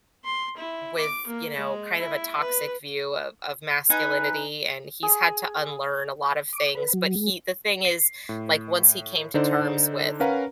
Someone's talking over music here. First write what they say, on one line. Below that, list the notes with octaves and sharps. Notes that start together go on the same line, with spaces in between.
with, you know, kind of a toxic view of of masculinity and he's had to unlearn a lot of things but he the thing is, like once he came to terms with,
C6
E4
D6
A#3
G#3
E4
B4
D#4 B4 G#5 A#5
G#4
D6
B4
F#3
G#3
C7
A2
D3 D4 D#4 A4 C5 D5
C#4 A#4 B4 F5 F#5 A#5